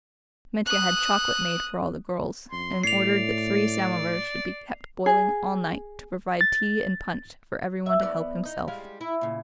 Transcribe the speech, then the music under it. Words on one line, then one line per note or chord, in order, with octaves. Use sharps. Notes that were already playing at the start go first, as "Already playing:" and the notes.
Mitya had chocolate made for all the girls, and ordered that three samovars should be kept boiling all night to provide tea and punch for everyone to help himself.
D#6 F#6
F2 C6
A2 D5 C7 F7
G#4
A6
E5
E2 B3 D5
D#4
G3 G#3 F5
E4
A#2 C#3